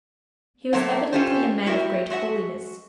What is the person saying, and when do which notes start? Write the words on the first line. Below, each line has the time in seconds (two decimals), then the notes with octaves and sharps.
He was evidently a man of great holiness.
0.73 F#3 A3 A#3 C5 C#5 F#5
1.13 C#4 D#4 F4 G4 A4 C5
1.66 E4 F#4 G4 A#4 E5
2.10 G#3 F#4 E5 F#5